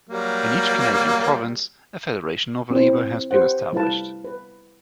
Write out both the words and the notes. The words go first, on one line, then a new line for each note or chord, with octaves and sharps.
In each Canadian province a federation of labour has been established.
F#3 G3 A#3
C4 E4
G4 B4 C5 F#5
G3 E4 B4 F5 A5
B4